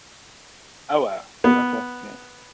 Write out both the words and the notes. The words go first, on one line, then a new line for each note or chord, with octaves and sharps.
Oh, wow. Okay, yeah.
B3